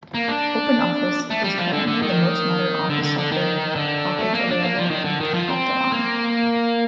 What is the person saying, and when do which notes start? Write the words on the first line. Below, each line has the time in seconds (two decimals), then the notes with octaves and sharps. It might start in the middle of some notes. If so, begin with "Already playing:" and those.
OpenOffice is currently the most modern office software package available in Catalan.
0.14 A#3
0.28 D4
1.30 A3
1.44 G3
1.58 F3
1.73 D3
1.87 D3
2.02 D#3
2.89 D3
3.03 D3
3.18 D3
3.32 D#3
3.75 D3
4.18 A3
4.34 A#3
4.48 D4
4.62 A#3
4.77 F3
4.90 D#3
5.05 D3
5.20 D#3
5.34 F3
5.48 C4
5.92 A#3